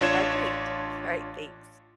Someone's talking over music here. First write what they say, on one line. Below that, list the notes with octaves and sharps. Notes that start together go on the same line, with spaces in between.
Agreed. Alright, thanks.
A1 D4 F4 C#5 G#6 E7